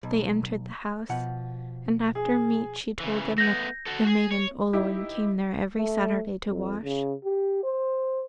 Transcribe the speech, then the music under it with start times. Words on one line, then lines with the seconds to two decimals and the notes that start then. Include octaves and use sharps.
They entered the house, and after meat she told them that the maiden Olwen came there every Saturday to wash.
0.03 B1
1.09 B2 F3 F#5
2.15 G#4
3.00 C#3 E3
3.38 A3 B3 G6 A#6
3.86 F#4 A4
4.07 G#4
4.32 C#5
4.73 D#4 E4 G4
5.77 A3
6.50 F2
6.83 C#3
7.25 G4
7.63 C5